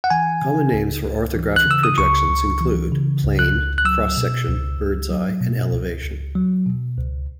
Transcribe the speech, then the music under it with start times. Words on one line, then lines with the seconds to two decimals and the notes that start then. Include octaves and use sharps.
Common names for orthographic projections include plane, cross-section, bird's-eye, and elevation.
0.04 F#5
0.10 E3 G#5
0.42 C#3
0.73 C#2
1.04 C#2
1.35 E3
1.56 F#6
1.66 C#3 E6
1.83 D#6
1.98 C#2 C#6
2.29 C#2
2.61 E3
2.92 C#3
3.24 C#2
3.39 F#6
3.55 C#2
3.78 F#6
3.85 F#3 E6
4.17 B2
4.48 C#2
4.79 C#2
5.11 F#3
5.41 B2
5.72 C#2
6.04 C#2
6.35 F#3
6.66 B2
6.97 C#2